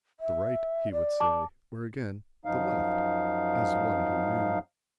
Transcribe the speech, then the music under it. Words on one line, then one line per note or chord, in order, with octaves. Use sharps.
"The Right," he would say. Or again "The Left," as one who knew.
E5
D5
A5 D6
F#2 F3 D#4 F5